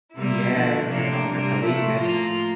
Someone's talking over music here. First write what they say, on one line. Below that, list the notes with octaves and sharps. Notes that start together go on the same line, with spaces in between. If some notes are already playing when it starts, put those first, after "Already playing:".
Yes, girl, that's a weakness.
C3 G3 A#3 E4
D3 F3 A3
C3 F3 A#3 D4
C3 G3 A#3
C3 F3 A3 E4
A2 F3 A#3 F4